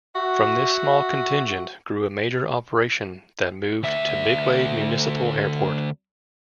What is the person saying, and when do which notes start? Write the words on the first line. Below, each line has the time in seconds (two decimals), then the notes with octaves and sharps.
From this small contingent grew a major operation that moved to Midway Municipal Airport.
0.15 F#4 E5
3.83 D2 E5